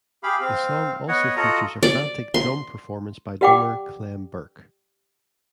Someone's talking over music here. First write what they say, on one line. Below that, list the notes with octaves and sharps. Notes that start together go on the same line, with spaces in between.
The song also features a frantic drum performance by drummer Clem Burke.
G4 G#4 F5 B5
C4 F5
B3 C#5 D#5 F#5
F4 F#4 A4 D#5 F#5 A#5
D5
C6
G4 D5 F#5 G5 D6